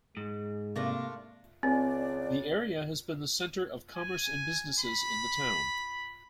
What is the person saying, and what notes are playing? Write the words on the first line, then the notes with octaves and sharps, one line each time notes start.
The area has been the center of commerce and businesses in the town.
G#2 G#3
C3 A3 A#3 D4 F4 A#6
C#2 C4 D5
G#5
B5